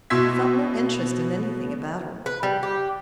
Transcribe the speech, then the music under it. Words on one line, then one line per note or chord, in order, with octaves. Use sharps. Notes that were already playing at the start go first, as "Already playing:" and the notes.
She felt no interest in anything about her.
B2 E4 C6 E6 G#6 B6
B4
G3
G4